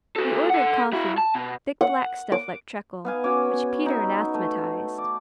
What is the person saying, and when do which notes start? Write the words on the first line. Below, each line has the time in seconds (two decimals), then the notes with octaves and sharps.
We ordered coffee, thick black stuff like treacle, which Peter anathematized.
0.16 F#4 A4
0.50 A4 F#5
0.93 E4 F#4
1.18 A5
1.35 B2
1.81 F#5
2.32 D6
3.05 B3 F5 G#5
3.24 C#4 F#4 C#5 D6
3.86 D#4 E4 E5
4.34 A3
4.98 D5